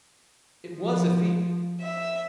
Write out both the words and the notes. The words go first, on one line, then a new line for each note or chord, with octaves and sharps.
It was a feat.
F3
E5